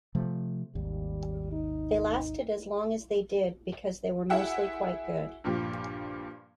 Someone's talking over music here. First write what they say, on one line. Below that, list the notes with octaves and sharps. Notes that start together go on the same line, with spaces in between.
They lasted as long as they did because they were mostly quite good.
C3 F3 A3
G#1 D#2 G3
D#4
E4 F#4 G#4 E5 F#5 G5
G2 A#2 F3 G4